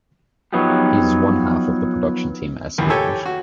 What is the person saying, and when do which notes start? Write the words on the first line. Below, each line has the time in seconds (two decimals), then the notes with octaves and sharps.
He is one half of the production team Espionage.
0.53 F3 F#3 B3 D#4 F4 G4
2.78 A#1 D#2 E3
2.90 G4 A4 C#5 G#5 A5 E6
3.26 F#4